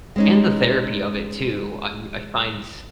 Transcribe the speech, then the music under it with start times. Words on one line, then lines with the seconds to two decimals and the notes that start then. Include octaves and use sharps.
And the therapy of it too. I I find,
0.16 G#3 C#4 D#4